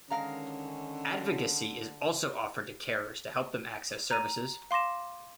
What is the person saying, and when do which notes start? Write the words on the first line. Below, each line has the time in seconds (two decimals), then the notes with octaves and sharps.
Advocacy is also offered to carers to help them access services.
0.10 D3 D#3 G#3 C#4 F5 A#5
4.11 A#5 D#7
4.71 F5 C6 D6 A#6 E7